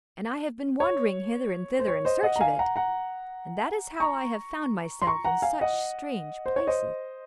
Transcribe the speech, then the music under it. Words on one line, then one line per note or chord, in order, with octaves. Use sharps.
And I have been wandering hither and thither in search of it, and that is how I have found myself in such strange places.'
C#5
C5
C#5
C5 D#5
D#5 F#5
A#5
F5 G#5
F#5 A#5
F#5 A#5
A#5 C#6
C6
A#5 C#6
F#5 A#5
F5 G#5
D#5 F#5
C5
C#5
C5 D#5